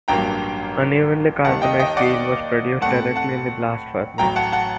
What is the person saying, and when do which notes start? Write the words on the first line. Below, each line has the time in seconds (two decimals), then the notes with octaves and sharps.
Unevenly carbonized steel was produced directly in the blast furnace.
0.08 A1 G2 F#3 A#3 G5 A#5
1.45 D#2 D#3 G3 F#5 A5
1.62 D#5 G5
1.79 D#5 G5
1.97 D5 F#5
2.82 A2 A3 C4 F#5 A5
3.16 F#5 A5
4.18 A1 A2 F#3 G5 A#5
4.36 F#5 A5
4.52 F#5 A5